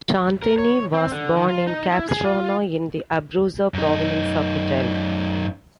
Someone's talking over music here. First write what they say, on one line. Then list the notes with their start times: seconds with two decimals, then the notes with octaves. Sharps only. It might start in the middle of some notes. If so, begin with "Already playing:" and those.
Santini was born in Capestrano in the Abruzzo province of Italy.
0.42 A#4
0.58 C#5
0.94 C4
1.12 D3
1.36 D#3
1.48 F4
1.67 D#4
1.92 E4
2.09 G#4
2.25 F4
3.74 F#2 D#4